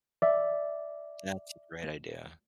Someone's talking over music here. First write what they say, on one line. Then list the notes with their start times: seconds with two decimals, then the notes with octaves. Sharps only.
That's a great idea.
0.22 D5 E5